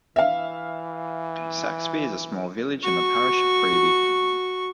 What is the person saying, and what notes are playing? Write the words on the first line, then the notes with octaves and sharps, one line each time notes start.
Saxby is a small village in the parish of Freeby.
E3 E5 F5
F#4 C#6